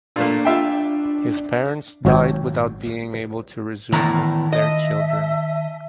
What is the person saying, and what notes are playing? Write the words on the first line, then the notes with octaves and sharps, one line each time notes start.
His parents died without being able to resume with their children.
A#2 A3 A#3 D4
F4 E5 G5
G#1 F#3 F#4 A4 C#5 G5
E2 A2 D#3 A#5
D#5 E5 A5